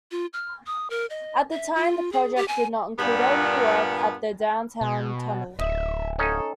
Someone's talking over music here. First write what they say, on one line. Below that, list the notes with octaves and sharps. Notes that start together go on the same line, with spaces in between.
At the time, the project did not include any work at the Downtown Tunnel.
F4
F6
D#6
A#4
D#5
E5
F4
G#4
G4
G#5
G2 A#2 B3
B2
D1 D#5 E5
C#4 D#4 A4